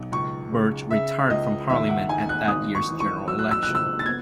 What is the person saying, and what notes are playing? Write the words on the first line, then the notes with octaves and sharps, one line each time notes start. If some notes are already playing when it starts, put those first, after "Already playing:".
Birch retired from Parliament at that year's general election.
Already playing: B1
C#2 C#6
C#3
C#3 E5
C#2 D#5
D#2 E5
F#5
D#4 G#5
F#6
G#1 D#6
C#6
E3
C#6
F#3 E6
F#6
E6
C#2 F#6
E6
A6
B3 G#6